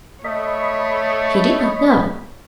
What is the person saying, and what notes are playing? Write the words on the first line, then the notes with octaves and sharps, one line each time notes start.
He did not know.
A3 C#5 D#5 B5